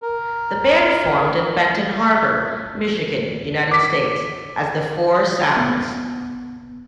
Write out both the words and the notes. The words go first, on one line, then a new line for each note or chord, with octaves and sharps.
The band formed in Benton Harbor, Michigan, United States, as the Four Sounds.
A#4
D6 B6
B3